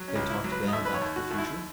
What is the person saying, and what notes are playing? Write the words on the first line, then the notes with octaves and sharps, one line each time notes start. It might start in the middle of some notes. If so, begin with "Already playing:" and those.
They talked then about the future.
Already playing: F#3
C#4
C#2
E4
F#3
B4
D#5
D#2 E5
B4
C#5
D#2
F#4
D#2 F#4
E4